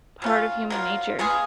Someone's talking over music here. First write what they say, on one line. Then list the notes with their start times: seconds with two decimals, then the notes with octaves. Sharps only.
part of human nature,
0.22 F#3 C#4 F4
0.70 F#3 A#3 F4
1.19 G#3 B3 F4 G#4